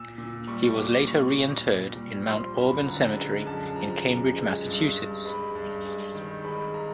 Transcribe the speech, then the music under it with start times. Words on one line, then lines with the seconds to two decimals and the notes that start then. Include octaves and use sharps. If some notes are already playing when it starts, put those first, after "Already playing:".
He was later reinterred in Mount Auburn Cemetery in Cambridge, Massachusetts.
Already playing: A#2 E6
0.18 A#2
0.47 G3 C#6
0.78 A#2 D6
1.07 A#2 C#6
1.37 A#2
1.67 A#2
1.97 G3
2.27 F3 C6
2.56 F#2 B5
2.87 D3 A#5
3.17 G#3
3.46 F#2 A5
3.76 F3 A#5
4.06 F#2
4.36 G#3
4.66 G2
4.95 G2
5.25 G#3 B5
5.55 G2
5.85 G#3
6.15 D#3
6.44 G#3 B5
6.74 A#5